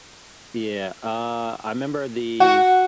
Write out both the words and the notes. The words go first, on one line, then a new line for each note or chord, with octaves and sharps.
Yeah, uh, I 'member the,
F#4 F#5